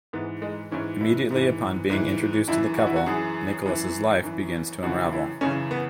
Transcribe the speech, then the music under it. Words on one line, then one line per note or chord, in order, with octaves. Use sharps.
Immediately upon being introduced to the couple, Nicholas' life begins to unravel.
G#2 E3 B3
G#3
G#2 E3 C#4
E4
G#2 E3
G#2 E3
F#2 E3 E4
F#4
E4
F#4
F#2 E3 G#4
F#2 E3
F#2 E3
F#2 C#3 E3 F#4
E4
F#2 C#3 E3 C#4
B3